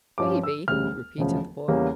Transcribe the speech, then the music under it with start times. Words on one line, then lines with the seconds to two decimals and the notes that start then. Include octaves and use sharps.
"Baby!" repeated the boy.
0.18 G2 F3 C#4 D6
0.43 E6
0.67 E1 D2 C#3 G3 F6
1.18 E1 D2 C#3 F3
1.68 E2 C#3 G3 A#3 C#4